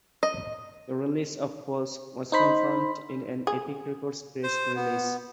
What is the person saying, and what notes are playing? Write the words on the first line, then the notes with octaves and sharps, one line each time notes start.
The release of "Pose" was confirmed in an Epic Records press release.
D#5
D#4 C5 B5
G#4
C5
B3